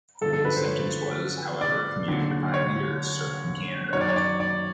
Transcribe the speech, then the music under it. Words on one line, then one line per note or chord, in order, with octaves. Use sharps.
His sentence was, however commuted to five years, served in Canada.
G2 D3 F3 A4
A4
B4
C5
C#5
D5
D#2 D3 F#3
C#5
F#2 D#3 F#3 C#5
D5
C#5
D5
D5